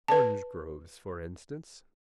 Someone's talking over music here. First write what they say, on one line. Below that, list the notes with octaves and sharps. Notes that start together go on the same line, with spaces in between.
Orangegroves for instance.
B4 A5